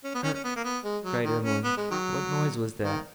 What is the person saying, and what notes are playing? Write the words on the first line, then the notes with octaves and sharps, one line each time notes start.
'Hark!' cried Emily, 'what noise was that?'
C#4
B3
C#4
C#4
B3
A#3
B3
G#3
F#3
D#3
C#4
B3
G#3
D#3 F#3
D#3